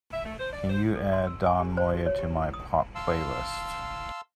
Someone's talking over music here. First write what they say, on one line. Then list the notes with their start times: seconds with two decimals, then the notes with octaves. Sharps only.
Can you add don moye to my Pop playlist?
0.13 E5
0.25 A3
0.40 C5
0.53 D5
0.70 C5
0.95 A4
1.13 C6
1.27 E6
1.46 G#5
1.60 G4
1.77 C5
1.94 F#4
2.06 C#5
2.19 G4
2.37 E4
2.54 D#6
2.95 F5 A5 C6 E6